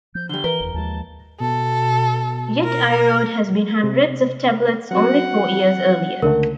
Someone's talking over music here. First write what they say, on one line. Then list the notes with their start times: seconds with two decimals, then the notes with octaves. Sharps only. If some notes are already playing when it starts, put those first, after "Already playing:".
Yet Eyraud had seen hundreds of tablets only four years earlier.
0.15 F3 G6
0.29 D3 G3 G7
0.44 E3 A#4 B4
0.60 F1 E2
0.74 D#2 F3 G#3 A5
1.40 B2 A4
2.64 A#4
3.84 C3
4.91 F#3 C4 F#4 F#5
6.22 C#2 D3 A3 A#4